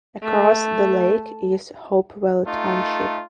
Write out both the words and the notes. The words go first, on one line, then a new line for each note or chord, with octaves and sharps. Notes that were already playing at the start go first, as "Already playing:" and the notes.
Across the lake is Hopewell Township.
A3
A3 D#4 F4